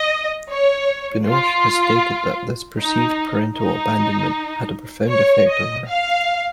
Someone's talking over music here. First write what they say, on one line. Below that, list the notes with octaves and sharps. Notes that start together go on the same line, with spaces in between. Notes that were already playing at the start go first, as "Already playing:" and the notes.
Binoche has stated that this perceived parental abandonment had a profound effect on her.
Already playing: D#5
C#5
F4
D#4
D#4
C#5
D#5
F5